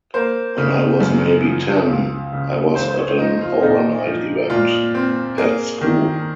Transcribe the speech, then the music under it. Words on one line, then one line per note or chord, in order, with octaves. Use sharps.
When I was maybe ten, I was at an overnight event at school.
A#3 C5
C#3
F#2
F3
C#2
C#3
C#2 C5
C5
C#5
F3 D#4
F4
A#2 D#4
F3
A#2 F4
C4
A#3 G#4
D#3